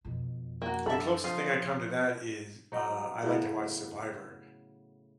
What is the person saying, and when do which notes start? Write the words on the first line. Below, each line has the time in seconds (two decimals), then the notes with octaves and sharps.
the closest thing I come to that is, uh, I like to watch Survivor,
0.05 F2 B2
0.62 A#3 F#4
0.86 F#2 D4 A4 E5 A5 B5
1.24 F3 F4 D#6 C7
2.72 F#3 D#4
3.23 A2 C#3 B3